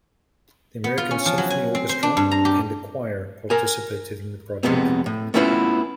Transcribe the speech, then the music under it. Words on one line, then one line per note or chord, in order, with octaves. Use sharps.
The American Symphony Orchestra and a choir participated in the project.
B3
F4
C#4
F3
F#3
G#5
C4
C5
D4
G2
A#5
G4
A#4 G#5
F2 C3 G#3 B3 C4
A2
A3 B3 C#4 E4 F4 B4